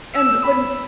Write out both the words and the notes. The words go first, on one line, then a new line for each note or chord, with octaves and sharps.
And when
E6
B5